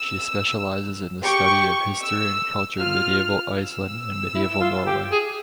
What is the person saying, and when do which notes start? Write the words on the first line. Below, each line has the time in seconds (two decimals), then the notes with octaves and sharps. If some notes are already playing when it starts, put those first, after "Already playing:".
She specializes in the study of history and culture Medieval Iceland and Medieval Norway.
Already playing: E6
1.25 G4 C#6
2.02 E6
2.79 F4 F6
3.57 E6
4.35 E4
4.61 F4
4.87 G4
5.12 G#4